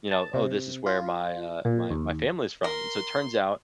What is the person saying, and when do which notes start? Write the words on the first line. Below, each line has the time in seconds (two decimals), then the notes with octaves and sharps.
you know, "Oh, this is where my," uh, "my my family is from," and so it turns out,
0.11 A5
0.34 C3
0.86 F4
1.65 A#2
1.90 D#2
2.64 A#4 C6